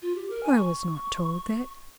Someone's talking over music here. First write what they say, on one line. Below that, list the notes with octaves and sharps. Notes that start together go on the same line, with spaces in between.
"I was not told that."
F4
G4
A#4
G#5
C#6